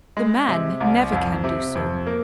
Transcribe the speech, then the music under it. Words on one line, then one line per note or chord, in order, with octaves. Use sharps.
The man never can do so.
G#3
C3
C2
F2
C3
F2
A#3